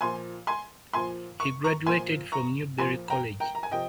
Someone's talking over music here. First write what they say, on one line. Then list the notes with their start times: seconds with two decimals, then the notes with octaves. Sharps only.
He graduated from Newberry College.
0.01 A#2 F3 G#5 C6
0.47 G#5 C6
0.93 A#2 F3 G#5 C6
1.40 C#6
1.64 A#5 C#6
1.86 A#2 F3 G#5 C6
2.32 A#5 C#6
2.78 A#2 F3 G#5 C6
3.10 G5 A#5
3.40 G5 A#5
3.55 A#5
3.63 G#5
3.71 C3 F3 D#5 G5